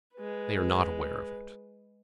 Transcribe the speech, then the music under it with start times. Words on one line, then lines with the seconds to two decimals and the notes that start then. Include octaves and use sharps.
"They are not aware of it."
0.15 G#3 B4